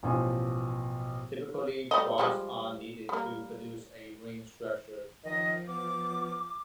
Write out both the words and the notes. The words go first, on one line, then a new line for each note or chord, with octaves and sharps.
Typically, bars are needed to produce a ring structure.
A1 B2 F3 G#5
G3 A3 D#5
F3 G3 G#3
G3 A#3
D#3 F3 D#5
B3 D6